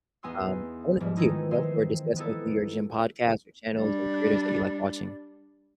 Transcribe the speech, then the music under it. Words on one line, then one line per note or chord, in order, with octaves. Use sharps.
um, I wanna thank you, you know, for discussing with me your gym podcasts, your channels, and creators that you like watching.
E2 B3 D#4 G#5 C6 E6
G#2 F3 G3 E4
D#3 E3 G#3 A3 D#4 E4
G#3 C4 D#4 C5 E5
B3 D#4 E4 A4
G3 D4